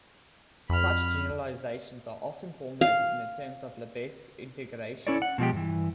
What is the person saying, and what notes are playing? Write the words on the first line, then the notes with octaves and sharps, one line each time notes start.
Such generalizations are often formulated in terms of Lebesgue integration.
F2 B5 F6
F5
C#4 E4 A4 C#5 D5
F#5
B2 F3 G#3 G4
G2 E3